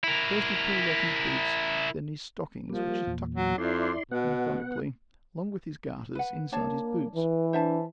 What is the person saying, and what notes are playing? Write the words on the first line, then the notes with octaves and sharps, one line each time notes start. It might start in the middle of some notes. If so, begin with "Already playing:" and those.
First he pulled off his boots, then his stockings, which he tucked methodically, along with his garters, inside his boots.
E4 A#4
F3 G3 A#3
E2 A#2
F#3
F2 E4 D5 C6
B2 B3 F#5
B4 F#5
A#3 D4 C#5 A5
E3 B4
D4 C5 E5 A5